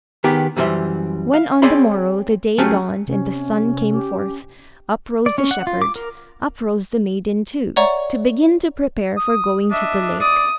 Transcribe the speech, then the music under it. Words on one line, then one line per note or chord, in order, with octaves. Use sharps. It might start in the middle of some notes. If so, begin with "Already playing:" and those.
When, on the morrow, the day dawned and the sun came forth, up rose the shepherd, up rose the maiden too, to begin to prepare for going to the lake.
D#3 B3 G4 G#4
F#2 E3 G3 C5 E5
F5
C4 G#4 C#5 D5 B5 C6
F#3 A3 C#4 G4 G#4
C3 C#4
G4
D5
C#4
F#5
F4
D6
A#4
C#5 D5 E5 F#5 A#5 C#6
D#6
D4 D#5 E5
D5 D#6